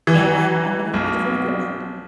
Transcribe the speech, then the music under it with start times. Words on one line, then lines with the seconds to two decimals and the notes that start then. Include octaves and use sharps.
and I'm gonna get you different equipment,"
0.07 E3
0.94 B1